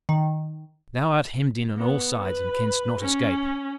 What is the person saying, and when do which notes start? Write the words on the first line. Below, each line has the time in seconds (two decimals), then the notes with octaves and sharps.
"Thou art hemmed in on all sides, and canst not escape!"
0.09 D#3
1.78 B3
2.25 B4
3.01 C#4